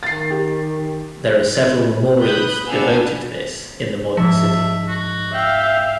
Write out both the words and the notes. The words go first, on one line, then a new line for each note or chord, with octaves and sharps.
There are several memorials devoted to this in the modern city.
D#3 A6 C7
G4
B4 B5 D#6 F#6 G6
B3 D4 F5 G#5 E6
G#2 F3 E5 A5
F#4
E5 F5 G5